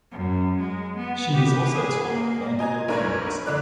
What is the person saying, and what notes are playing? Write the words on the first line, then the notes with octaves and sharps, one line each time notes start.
She has also taught at Vanderbilt University.
F#2
G#3
B3
G4 B4
G#4
A#3
D#5 G#5 A#5 G#6
B1 D4 A#4 B4 C#5 G#6
F2 D3 D5 F#6